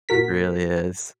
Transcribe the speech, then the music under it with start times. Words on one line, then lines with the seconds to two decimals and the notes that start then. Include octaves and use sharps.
Really is.
0.09 A#2 F#4 A#4 B6